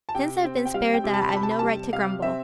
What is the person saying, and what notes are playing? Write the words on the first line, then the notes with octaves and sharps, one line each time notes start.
Since I've been spared that, I've no right to grumble.
A5
C3 G5
C4
G5
G3 F5
G5
C3
A5
B5
A5
C3 B5
A5
B5
G3 A5
C3 F5
C4 E5